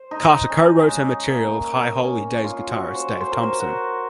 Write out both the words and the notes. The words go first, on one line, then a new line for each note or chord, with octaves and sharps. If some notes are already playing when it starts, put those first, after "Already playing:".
Carter co-wrote her material with High Holy Days guitarist Dave Thompson.
Already playing: C5
D#4
C#4
G#3
A#3
C#4
F4
F#4
C5
C5
A#4
C5
F#4